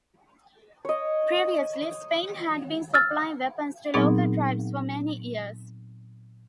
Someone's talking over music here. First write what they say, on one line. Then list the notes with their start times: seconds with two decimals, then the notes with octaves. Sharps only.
Previously, Spain had been supplying weapons to local tribes for many years.
0.85 C#5 D#5
2.94 E6 F6 A6
3.94 A#2 F#3 B3 C4 D#4 G#4